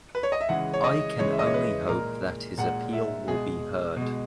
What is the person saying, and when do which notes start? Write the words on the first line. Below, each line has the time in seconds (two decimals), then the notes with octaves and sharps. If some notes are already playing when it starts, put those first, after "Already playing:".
I can only hope that his appeal will be heard.
0.15 B4
0.23 C#5
0.32 D#5
0.41 E5
0.49 C#3 E3 G#3 F#5
0.73 C#5
0.84 D#5
1.19 C#3 E3 G#3 C#5
1.32 E5
1.39 D#5
1.46 C#5
1.54 B4
1.89 A#2 G#3 A#4
2.58 A#2 G#3 F#5
2.93 E5
3.28 B2 G#3 G#4
3.97 B2 G#3